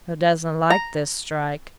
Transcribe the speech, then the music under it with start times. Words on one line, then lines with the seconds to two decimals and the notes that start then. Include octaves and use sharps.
Hoo doesn't like this strike.
0.70 A#5